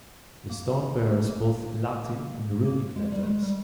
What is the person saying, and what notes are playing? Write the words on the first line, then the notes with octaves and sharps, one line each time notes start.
The stone bears both Latin and Runic letters.
A#3
A3
A#3
A#3
A#3
G#3
G3
A3
G#3
G3